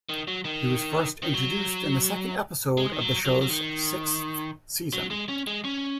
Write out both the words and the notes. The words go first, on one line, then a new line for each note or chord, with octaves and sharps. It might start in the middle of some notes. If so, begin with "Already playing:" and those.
He was first introduced in the second episode of the show's sixth season.
D#3
F#3
D#3
D#3
F#3
G#3
D#3
F#3
F#3
F#3
D#3
F#3
G#3
C#4
G#3
C#4